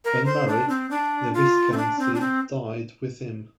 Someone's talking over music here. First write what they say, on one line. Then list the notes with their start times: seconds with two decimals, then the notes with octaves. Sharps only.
Unmarried, the viscountcy died with him.
0.05 A#4
0.26 C5
0.48 D4
0.69 C4
0.91 D4
1.34 F4
1.72 C4
1.77 D4
1.99 C4
2.15 D4
2.21 C4